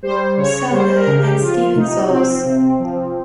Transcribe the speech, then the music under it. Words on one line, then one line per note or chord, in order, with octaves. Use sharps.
Souther and Steven Soles.
G3 C5
C#3 C#5
G3 C5
A#4
C#3
G4
F3 F4
C3 D#4
F3 C4
C3
F3